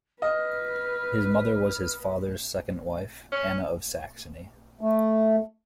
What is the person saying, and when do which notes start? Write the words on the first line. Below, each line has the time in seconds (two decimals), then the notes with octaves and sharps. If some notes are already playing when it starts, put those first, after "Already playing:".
His mother was his father's second wife, Anna of Saxony.
0.22 B4 D#5 F6
3.32 C#4
4.81 A3